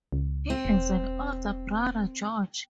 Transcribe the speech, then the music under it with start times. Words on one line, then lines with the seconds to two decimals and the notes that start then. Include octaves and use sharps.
He has an older brother, George.
0.12 C#2
0.50 C4
0.65 E1